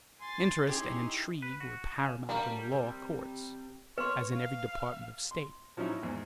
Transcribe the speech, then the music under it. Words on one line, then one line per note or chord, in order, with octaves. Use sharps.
Interest and intrigue were paramount in the law courts, as in every department of state.
G#5 C6 A6
C#4 D#4 E4 G4 G#4 C6
B4
F#4
C#3
G3 D4 F#4 A#4 F5 A#5
C3
B4 C#5 C6
F5
C6
F3 F#3 C#4 D#4 E4
E2 G#2